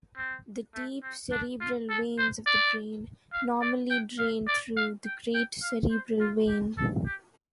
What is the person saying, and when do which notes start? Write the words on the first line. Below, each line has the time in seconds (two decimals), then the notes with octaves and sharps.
The deep cerebral veins of the brain normally drain through the great cerebral vein.
0.17 C4
0.75 A3
1.03 C4
1.32 D4
1.60 F4
1.89 A4
2.18 C5
2.46 D5
3.33 F5
3.61 D5
3.90 G5
4.18 F5
4.48 D5
4.77 F5
5.05 G5
5.34 G5
5.63 F5
5.91 C5
6.20 F4
6.48 G4
6.78 A4
7.06 G4